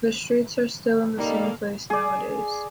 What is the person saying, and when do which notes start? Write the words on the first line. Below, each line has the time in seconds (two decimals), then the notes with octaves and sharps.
The streets are still in the same place nowadays.
1.18 G3 A#3 D#4 A4 F5
1.90 G#4 D5